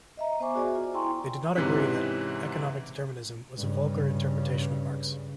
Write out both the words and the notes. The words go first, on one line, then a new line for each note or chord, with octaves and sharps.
They did not agree that economic determinism was a vulgar interpretation of Marx.
D#5 E5 A#5
B3 C5 E5 G#5 C#6 D6
F#4 G#4 C5 D5 G#5
F4
E4 G5 G#5 A#5 C6 C#6
G#2 C3 E3 C#4 F#6 B6
G2 C#3